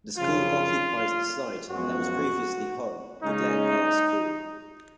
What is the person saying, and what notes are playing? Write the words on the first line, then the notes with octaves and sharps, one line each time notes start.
The school occupies the site that was previously home to Glen Eyre School.
F#2 C#3 F3 F4
F#2 F3 G#3 B3 F#4
C#3 G#3 C#4 D#4